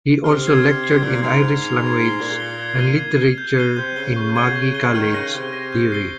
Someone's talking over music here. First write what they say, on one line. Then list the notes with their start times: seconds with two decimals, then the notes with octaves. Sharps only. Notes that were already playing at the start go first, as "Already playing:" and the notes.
He also lectured in Irish language and literature in Magee College, Derry.
0.24 C3 F6
0.44 G#6 C7
0.64 F6
0.83 G#6 C7
1.03 A#2 F6
1.22 G#2 C7 F7
1.42 G#2 F6
1.61 C7 F7
1.81 G#6
2.01 C7 G7
2.20 A#2 G#6
2.40 C7 G7
2.60 G#6
2.79 D#7 G7
2.99 G#6
3.18 D#7 G7
3.38 G6
3.57 C7 D#7 G7
3.77 C3 G6
3.96 C#3 C7 D#7 G7
4.16 C#3 C#6
4.36 G#6 D#7 G7
4.55 C#6
4.75 G#6 D#7 G7
4.94 D#3 F6
5.14 C#3 A#6 D#7
5.34 C3 F6
5.53 A#6 D#7
5.73 G6
5.92 C7 G7